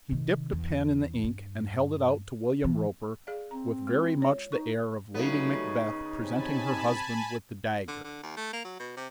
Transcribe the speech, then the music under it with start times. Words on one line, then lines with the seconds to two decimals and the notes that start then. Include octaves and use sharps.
He dipped a pen in the ink and held it out to William Roper with very much the air of Lady Macbeth presenting her husband with the dagger.
0.09 C3 D#3
0.52 E2
1.24 G2
2.64 E3
3.27 G#4 D5 F5
3.51 C4 A#5
3.87 G#3 F4
4.22 C#5
4.52 D#4 C#6
5.14 C#3 F#3 G3 A3 B3 D#4
6.21 C3 C4 G#5 A5 B5
7.88 D3
8.04 D3
8.23 D#2
8.36 A3
8.53 A#3
8.64 F#3
8.79 B2
8.97 C3